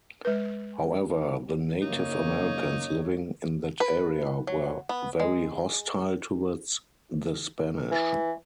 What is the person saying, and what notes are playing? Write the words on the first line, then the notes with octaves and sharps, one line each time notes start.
However, the Native Americans living in that area were very hostile towards the Spanish.
G#3 B4
F#2 C#3 A#3 D#4 C#5
B4
F#3
B3
G#3
E3